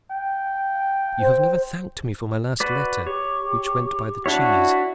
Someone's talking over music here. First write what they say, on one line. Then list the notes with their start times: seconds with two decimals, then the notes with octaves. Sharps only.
You have never thanked me for my last letter, which went by the cheese.
0.11 G5
1.20 C5
2.60 F#4 B4 D5
3.07 G4 C#5
4.26 D4 E4 F#4 C#5